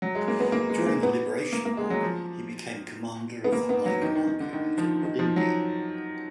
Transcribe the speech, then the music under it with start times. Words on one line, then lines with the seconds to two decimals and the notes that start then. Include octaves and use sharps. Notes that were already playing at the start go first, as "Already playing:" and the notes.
During the liberation war, he became Commander of the High Command Unit at Mulindi.
0.02 F#3
0.15 G#3
0.28 A#3
0.40 B3
0.52 A#3
0.69 G#3
0.86 A#3
1.03 B3
1.53 A#3
1.65 A#3
1.77 G#3
1.90 F#3
2.03 F3
3.44 B3
3.52 A#3
3.69 B3
3.86 F#3
4.02 D#3
4.15 D#3
4.27 D#3
4.40 D3
4.53 D#3
4.78 F3
5.03 D#3
5.19 F3
5.36 F#3